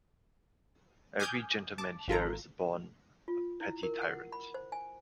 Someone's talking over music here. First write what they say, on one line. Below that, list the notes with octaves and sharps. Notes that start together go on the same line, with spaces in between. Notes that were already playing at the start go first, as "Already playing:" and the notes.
Every gentlemen here is born a petty tyrant.
G#5 D6 D#6 F6 G6 G#6
A5 D6
G#1 F4 A4 A#5
F4
E4
A#4
F#5
B5
C5
G#5